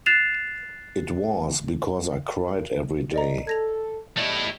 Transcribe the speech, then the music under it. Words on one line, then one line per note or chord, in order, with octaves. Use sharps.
It was because I cried every day.
F#6 A6 C7 E7 F7
D5 D#5 A#5
A4 G#6 A#6 F7
E2 G3 A3 E4 D5 D#5